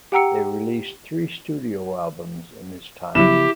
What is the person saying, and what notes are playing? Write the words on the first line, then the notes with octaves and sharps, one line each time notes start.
They released three studio albums in this time.
G4 F#5 G5 A#5 E6 C#7
G1 C#3 F3 F#3 B3 E4 G4 E7